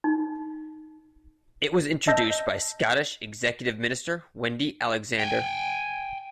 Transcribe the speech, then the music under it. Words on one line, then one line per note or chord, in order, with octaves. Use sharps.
It was introduced by Scottish Executive minister Wendy Alexander.
D#4
D#5 A5 E6 G6 A#6
G5 G#5